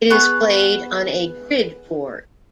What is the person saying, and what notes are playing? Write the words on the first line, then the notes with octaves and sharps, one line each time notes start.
It is played on a "grid board".
B3 G#4 B4 C#6